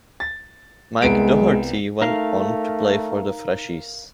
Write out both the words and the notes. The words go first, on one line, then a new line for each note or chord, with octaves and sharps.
Mike Doherty went on to play for The Freshies.
A6
C2 G#3 B3 D7
A3 D#4 A#4 F5